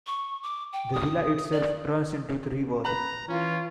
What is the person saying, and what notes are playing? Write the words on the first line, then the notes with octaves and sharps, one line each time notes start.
The villa itself runs into the river.
C#6
D6
G5
D#6
D5
B4 A#5 B5
E3 C#4 F4